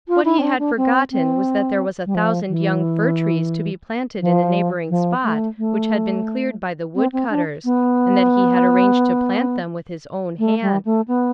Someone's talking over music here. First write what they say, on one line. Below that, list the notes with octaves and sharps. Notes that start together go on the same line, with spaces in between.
What he had forgotten was that there was a thousand young fir-trees to be planted in a neighboring spot which had been cleared by the wood-cutters, and that he had arranged to plant them with his own hands.
F4
E4
C4
D4
D4
C4
C4
G3
F3
E3
F3
F3
A3
A3
C4
C4
D4
B3
A3
G3
A3
B3